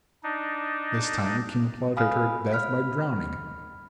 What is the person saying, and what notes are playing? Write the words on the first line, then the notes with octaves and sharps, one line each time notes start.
This time the king plotted her death by drowning.
D4 D#4
F5 G#5 B5 D#6 F6
B5 F6 B6